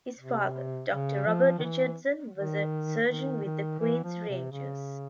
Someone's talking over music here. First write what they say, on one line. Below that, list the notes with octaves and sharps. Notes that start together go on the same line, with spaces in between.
His father Doctor Robert Richardson was a surgeon with the Queen's Rangers.
C3
C#3
F3
D#3
E3
D#3
D#3
D#3
E3
F3
C3
C#3